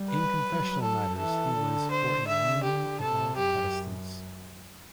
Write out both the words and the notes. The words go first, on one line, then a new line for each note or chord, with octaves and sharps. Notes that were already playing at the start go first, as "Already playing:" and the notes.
In confessional matters he was for a union of all Protestants.
Already playing: G3
B4
F#3
A4
E3 A4
D3
C5
D3 E5
G4
C3 A4
F#2 G4